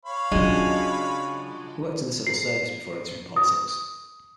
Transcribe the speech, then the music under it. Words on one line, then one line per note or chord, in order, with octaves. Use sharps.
He worked in the civil service before entering politics.
C#5 F5 B5
C#3 F#3 G#3 D4 F4 F#4
C7
D#6